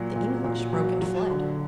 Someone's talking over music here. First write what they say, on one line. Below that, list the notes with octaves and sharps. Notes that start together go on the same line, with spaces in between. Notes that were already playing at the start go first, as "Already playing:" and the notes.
The English broke and fled.
Already playing: A#2 F#3
A#2
A#2
F#3
F#3
D3